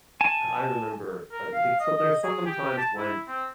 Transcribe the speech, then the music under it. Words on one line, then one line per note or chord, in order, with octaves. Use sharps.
Uh, I remember, I th think so there's some times when,
G#5 A5
A#4
F5
D#5
D#5
G#4
G4
A5
E4
C4